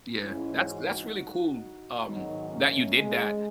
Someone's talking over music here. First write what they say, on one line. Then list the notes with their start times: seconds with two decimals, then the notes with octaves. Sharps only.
Yeah, that's that's really cool, um, that you did that,
0.21 G#2 E3 C#4 E4
0.67 D#4 F#4
2.03 G#2 D#3 F#3 B3 D#4
2.49 A3 C#4
2.95 G#3